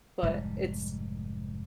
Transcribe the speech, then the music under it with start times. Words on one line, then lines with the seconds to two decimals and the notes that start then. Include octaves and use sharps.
but it's
0.22 F1 G#2 G3